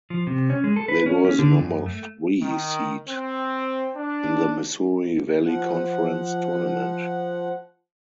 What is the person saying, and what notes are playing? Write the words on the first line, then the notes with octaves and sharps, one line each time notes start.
They were the number three seed in the Missouri Valley Conference Tournament.
F3
C3
C#4
G#3
A4
B4
C#4
C#4
D3
F#2
A3
D#3
C4
D4
F3 F#5